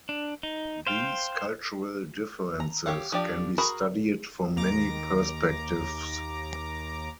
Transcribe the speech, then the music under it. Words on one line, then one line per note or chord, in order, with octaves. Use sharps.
These cultural differences can be studied from many perspectives.
D4
D#4
C5 F5 G5
A#5
G4 C#5 F5 F#5
F3 D4 G4 D5
F#4 G#4 A#4 A#5 B5
D#2 A#5 D6